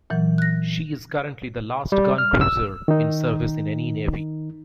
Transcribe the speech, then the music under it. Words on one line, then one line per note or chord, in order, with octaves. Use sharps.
She is currently the last gun cruiser in service in any navy.
A#2 E3 F#3
F#6 A#6
G3
F6
E6
D#3 D#4